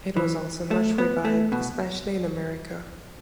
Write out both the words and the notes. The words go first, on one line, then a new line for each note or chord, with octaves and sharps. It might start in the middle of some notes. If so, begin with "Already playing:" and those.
It was also much revived, especially in America.
E3
A3
B3
A3
B2